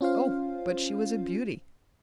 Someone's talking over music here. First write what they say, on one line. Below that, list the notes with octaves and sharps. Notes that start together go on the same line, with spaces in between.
Oh! but she was a beauty!
C#4 F4 C5 F5